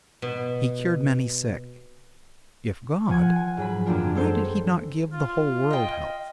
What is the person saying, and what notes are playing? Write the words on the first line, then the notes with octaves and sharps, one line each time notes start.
He cured many sick: if God, why did he not give the whole world health?
B2
F3 F#5 G#5 G#6
G#5
G#2 F#3 B5
F#2 E3 A#3 C4 D4 F4
G#3 A4 C5
F4
D#5 G5